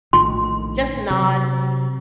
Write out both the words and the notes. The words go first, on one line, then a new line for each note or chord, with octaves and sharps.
just nod,
A#1 A2 D#3 C6
C3 F#3